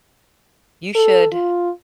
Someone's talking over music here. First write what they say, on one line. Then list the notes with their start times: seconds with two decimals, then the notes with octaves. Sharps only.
You should
0.96 A4
1.33 F4